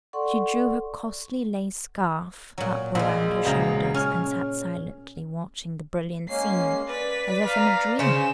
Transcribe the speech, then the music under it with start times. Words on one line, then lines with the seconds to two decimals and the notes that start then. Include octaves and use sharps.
She drew her costly lace scarf up around her shoulders, and sat silently watching the brilliant scene, as if in a dream.
0.13 A4 D5 F#5 C6 C#6
2.58 A#2 F#3
2.95 A#1 A#2 G#3
3.45 E1 C#2 C#3 C5 A#5
3.94 C#4 F6
6.28 G#3 A#3 C#4 C7
6.88 B4 D5 B6
7.47 F5 A#5
7.99 C#3 C#4 C5 E7